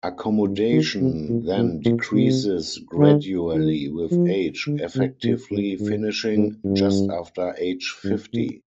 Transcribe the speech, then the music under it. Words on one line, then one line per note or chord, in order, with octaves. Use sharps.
Accommodation then decreases gradually with age, effectively finishing just after age fifty.
G2
D#3
C3
A#2
A#2
A#2
C3
D3
D#3
F3
D3
C3
A#2
G#2
G#2
G#2
G2
G2
A#2